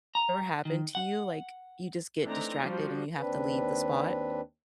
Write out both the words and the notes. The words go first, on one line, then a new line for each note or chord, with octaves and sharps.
ever happened to you? Like, you just get distracted and you have to leave the spot?
A#5
D#3
F#5
E3 A3 C4 D4 D#4 A#5
F3 G3 F#4
D#2 C4 D4 B4